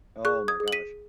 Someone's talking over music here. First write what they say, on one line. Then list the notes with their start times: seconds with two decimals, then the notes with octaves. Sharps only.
Oh, my gosh.
0.25 G#4 C#6 F#6
0.48 D#6 G#6
0.60 G#4
0.68 F#7
0.73 B6 D#7